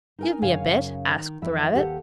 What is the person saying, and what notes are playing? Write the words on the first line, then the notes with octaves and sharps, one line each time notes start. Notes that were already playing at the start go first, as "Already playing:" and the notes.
'Give me a bit,' asked the rabbit.
D#4 A#4 G#5
F#2 C#3 A#4 C#5 F5 G#5
D#3
F2 E3 E5
D#2 F4 G4 A4 F#5